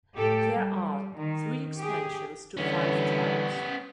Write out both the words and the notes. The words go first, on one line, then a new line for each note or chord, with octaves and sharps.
There are three expansions to Five Tribes.
A2 G4 A4
G3
D#3
G4 G#4
D3 E3 G3 B3 C#4